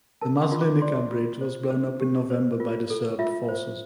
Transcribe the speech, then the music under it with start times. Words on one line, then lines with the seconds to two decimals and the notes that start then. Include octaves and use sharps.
The Maslenica bridge was blown up in November by the Serb forces.
0.21 A#4 A5
0.37 D6
0.42 C6
0.52 F4
0.62 D6
0.82 D5 C6
1.11 F4
1.41 C5
1.70 C5
2.01 G4
2.30 C5
2.60 F4
2.90 A4
3.19 F4 E5
3.49 C5